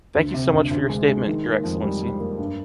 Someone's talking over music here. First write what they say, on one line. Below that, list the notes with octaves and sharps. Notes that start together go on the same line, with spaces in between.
Thank you so much for your statement, Your Excellency.
D2
C3
D2
D2
G#3
G#3
D#3
A#3
F2
G3
G3
A#3
G2